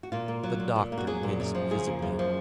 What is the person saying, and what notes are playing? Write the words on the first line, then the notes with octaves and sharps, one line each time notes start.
The doctor winced visibly.
F#4
A#2 F4
A#3
F#3
A#2
A#2
A#3
F#4
F#3 G#4
A#2
F#2
F3
C#3 G#4
A#3
F#2
F3